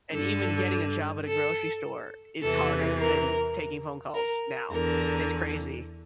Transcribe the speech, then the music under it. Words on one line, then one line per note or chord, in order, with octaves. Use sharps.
And even getting a job at a grocery store is harder than taking phone calls now. It's crazy.
G2 D3 A4
A4
E2 C3 E3 A4
A#4
A#4
E2 D3 A#4